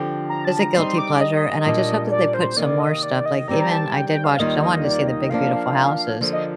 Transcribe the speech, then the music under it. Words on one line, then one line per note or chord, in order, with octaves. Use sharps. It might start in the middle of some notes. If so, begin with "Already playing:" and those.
is a guilty pleasure, and I just hope that they put some more stuff, like, even I did watch, 'cause I wanted to see the big, beautiful houses,
Already playing: D3 F3 C4 G4
A#5
A5
A#5
G3 C4 D#4 C6
D6
D#5
A#2 G3 A#3 D4
D5
C5
C3 D#3 A#3 D5
D#5
D5
D#5
D#3 G3 C4 G4 D5 A#5
A#5
A5
G5
G5
F5
D#2 D#3 G3 A#3 F4 D#5
D#5
D5
D#5
F3 A#3 D4 F5
D3 F3 A#3 F4
D#5